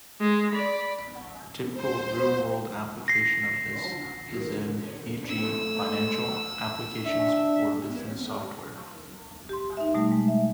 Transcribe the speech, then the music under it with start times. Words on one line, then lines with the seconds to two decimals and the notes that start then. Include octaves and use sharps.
Typical real-world application of this is in, e.g., financial applications or business software.
0.21 G#3
0.51 D5 B5
1.74 C5
3.08 A#6 C7
5.29 A3 E6
7.06 D4 E5
9.49 G4 C6
9.77 D#4 E5
9.94 B2 G3 A3
10.12 G#3
10.28 E5